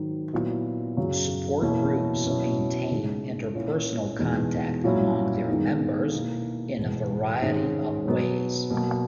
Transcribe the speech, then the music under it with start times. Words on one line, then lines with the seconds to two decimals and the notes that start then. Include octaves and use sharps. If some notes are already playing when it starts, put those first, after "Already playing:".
Support groups maintain interpersonal contact among their members in a variety of ways.
Already playing: G#2 D#3 F#3
0.33 A#2 F#3 B3 E4
0.97 F#2 C#3 F#3
1.62 E2 B2 A#3 C#4 E4
2.26 B2 F#3 C#4 E4
2.91 C#3 G#3 D#4
3.54 A#2 A#3 C#4 E4
4.19 E2 B2 G#3 B3 D#4
4.84 A#2 F#3 C#4 E4
5.48 D#3 G#3 B3 D#4
6.12 B2 A#3 E4
6.77 E2 B2 G#3 B3
7.41 G#2 D#3 G#3 C#4
8.05 B2 F#3 B3
8.70 B2 F#3 A#3